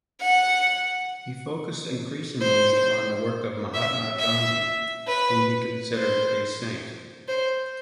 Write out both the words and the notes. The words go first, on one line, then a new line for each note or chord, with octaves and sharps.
He focused increasingly on the work of Mahatma Gandhi, whom he considered a saint.
F#5
C5
E5
E5
B4
C5
C5